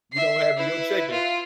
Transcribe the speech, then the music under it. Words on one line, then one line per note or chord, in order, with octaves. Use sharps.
you don't have in you're checking,
E5 C7
E4 B4
F4